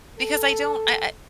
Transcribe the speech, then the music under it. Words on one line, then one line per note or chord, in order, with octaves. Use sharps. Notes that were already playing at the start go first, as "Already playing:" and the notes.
because I don't I
A4